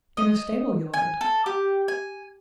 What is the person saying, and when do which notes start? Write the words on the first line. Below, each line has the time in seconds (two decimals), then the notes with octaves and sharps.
"In a stable-yard."
0.17 D#5
0.93 G#5
1.21 A4
1.46 G4
1.88 G#5